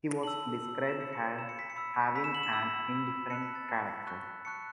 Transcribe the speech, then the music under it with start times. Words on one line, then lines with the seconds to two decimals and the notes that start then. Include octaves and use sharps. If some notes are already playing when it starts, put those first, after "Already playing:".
He was described as having an indifferent character.
0.23 A5 E6 F#7
0.61 A5 E6
0.89 E7
1.00 B5 E6 C#7
1.13 C#7
1.38 B5 E6 E7
1.49 C#7
1.59 B6
1.70 C#7
1.76 B5 E6
2.15 B5 E6 B6
2.24 E7
2.35 F#7
2.43 E7
2.53 B5 E6
2.92 B5 E6
3.30 A5 F#6 C#7
3.43 B6
3.55 A6
3.69 A5 F#6 A6
4.06 A5 C#6 F#6
4.45 A5 C#6 F#6 C#7